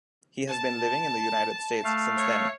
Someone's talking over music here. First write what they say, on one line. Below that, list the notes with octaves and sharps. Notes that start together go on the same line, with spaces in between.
He has been living in the United States since then.
A5
A3 F5
C#5